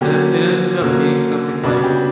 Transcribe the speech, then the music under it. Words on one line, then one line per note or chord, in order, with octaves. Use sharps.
uh, it ended up being something, like,
D3 F#3 A#3 C#4 G4
D3 F#3 A#3 C#4
C#3 G3 B3 D4 F#4
G4